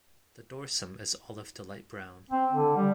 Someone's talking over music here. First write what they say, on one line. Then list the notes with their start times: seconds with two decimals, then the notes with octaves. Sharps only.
The dorsum is olive to light brown.
2.31 C4
2.52 D3
2.76 G3